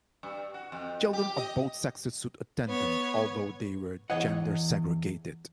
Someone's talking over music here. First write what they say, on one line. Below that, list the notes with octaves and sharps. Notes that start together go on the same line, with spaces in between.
Children of both sexes could attend them, although they were gender segregated.
G2
F#4
F2
G4
D#5
B3 C#5
E2 D#3 E3 C#5 D#5 F#5